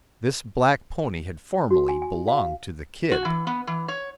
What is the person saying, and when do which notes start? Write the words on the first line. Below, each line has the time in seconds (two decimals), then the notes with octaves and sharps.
This black pony had formerly belonged to the "Kid."
1.71 F#4
1.89 G#5
2.02 G#5
2.28 F5
3.12 F#4
3.25 E3
3.47 B3
3.67 E3
3.88 C#5